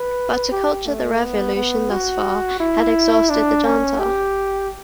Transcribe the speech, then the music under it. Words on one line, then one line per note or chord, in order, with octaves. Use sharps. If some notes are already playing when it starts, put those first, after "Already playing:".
But to culture the Revolution thus far had exhausted the Junta.
Already playing: B4
G4
A3
B3
B3
F#4
E4
D4
C#4
G4